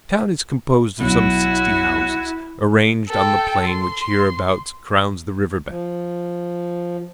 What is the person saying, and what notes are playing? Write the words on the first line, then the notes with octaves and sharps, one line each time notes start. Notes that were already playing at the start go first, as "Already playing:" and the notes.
The town is composed of some sixty houses, arranged on the plain which hereabouts crowns the river-bank.
B1 E4 F#4
A4 G5
C6
F3